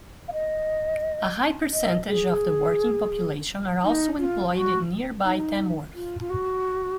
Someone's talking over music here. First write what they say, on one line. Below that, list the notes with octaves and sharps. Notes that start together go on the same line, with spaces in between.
A high percentage of the working population are also employed in nearby Tamworth.
F5
D#5
D#5
G#4
D#4
F4
F#4
D#4
F4
F4
F#4